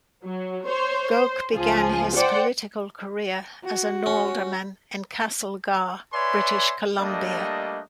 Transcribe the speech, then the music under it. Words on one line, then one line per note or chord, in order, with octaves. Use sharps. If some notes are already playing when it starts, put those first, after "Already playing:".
Gouk began his political career as an alderman in Castlegar, British Columbia.
F#3
C5 C#5
C5
C#2 F3 G#4
C5 D5 F#5 G5
F#4
C#4
B4 C#5 D5 E5 G#5 C6
G3 A3 A#3 D4 D#5